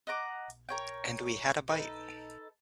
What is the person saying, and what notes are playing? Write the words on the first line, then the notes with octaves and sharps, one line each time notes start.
And we had a bite.
D#5 F#5 A#5 D6
A#4 C#5 G5
D#4 A4 B4